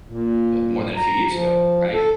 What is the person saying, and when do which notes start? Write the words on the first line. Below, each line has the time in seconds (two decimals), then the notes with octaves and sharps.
more than a few years ago, right,
0.09 A#2
0.96 A#5
1.31 F3
1.93 A4